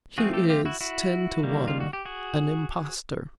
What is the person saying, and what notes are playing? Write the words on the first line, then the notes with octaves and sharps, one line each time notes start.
He is, ten to one, an impostor.
F3 A3 C4 F#4 G#4
G4 A4
F4 G4
E4 F#4
E4 F#4
D#3 G3 A#3
F4
F#4
G4
F#4 G#4